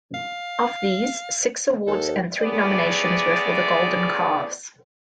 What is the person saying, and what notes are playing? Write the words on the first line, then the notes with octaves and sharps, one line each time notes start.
Of these, six awards and three nominations were for the Golden Calves.
F5
D#2 A4
E2 A2 B3 G#4 D5